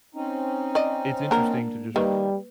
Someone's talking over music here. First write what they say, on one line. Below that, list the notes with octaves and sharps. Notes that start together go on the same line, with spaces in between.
it's interesting to just r r
C4 C#4 D#4
D5 D#5
A#3 D4 A#4
D#3 G3 A#3 B4